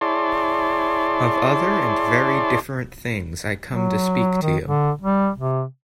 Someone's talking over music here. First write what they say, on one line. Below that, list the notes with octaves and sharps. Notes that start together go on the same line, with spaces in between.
Of other and very different things I come to speak to you.
E4 G#4 C#5 D5 A5 C6
F#3
D#3
D3
G3
C3